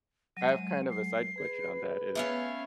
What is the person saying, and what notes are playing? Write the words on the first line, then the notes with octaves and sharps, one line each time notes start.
I have kind of a side question on that is
F#3 G#3 D#7
C7
G#4 B4
A3 B3 C#4 F5